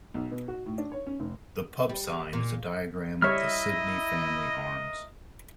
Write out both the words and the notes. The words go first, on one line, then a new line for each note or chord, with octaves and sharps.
The pub sign is a diagram of the Sydney family arms.
B1
B2
F#4
A2
D4
C#5
C#4
F1
G3
A#2
G3 E4 A#4 C#5 D#5 E5 F6